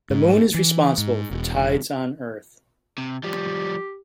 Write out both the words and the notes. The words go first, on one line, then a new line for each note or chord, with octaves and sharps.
The moon is responsible for tides on earth.
G#2
E3
G#2
E1
C3
F3 G3 G4